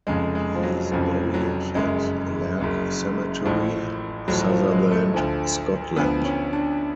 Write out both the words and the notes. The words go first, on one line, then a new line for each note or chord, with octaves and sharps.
He is buried at Lairg Cemetery, Sutherland, Scotland.
F1 F2 C#3 G#3
G#3
F3
F#3
F1 F2 C#3 F3
F#3
F#1 F#2 C#3 G#3
F#1 F#2 C#3
A1 A2 F3
A1 A2 F3 F#3
F#3
F3
G#3
A3
D2 D3 F3
D2 D3 F3 B3
C#4
D4